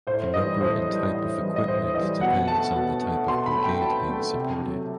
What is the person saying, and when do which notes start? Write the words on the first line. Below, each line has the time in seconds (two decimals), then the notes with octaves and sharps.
The number and type of equipment depends on the type of brigade being supported.
0.07 A2 C5
0.34 E3 G3 D#5
0.61 A2 C5
0.88 E3 G3
1.14 A2
1.41 E3 G3
1.56 D#5
1.68 A2 C5
1.94 E3 G3 D#5
2.21 B2 F#5
2.48 A3 A5
2.75 B2
3.01 A3
3.28 B2 C6
3.46 B5
3.55 A3
3.64 G5
3.82 B2 A5
4.09 A3
4.35 C3
4.62 F#3 A3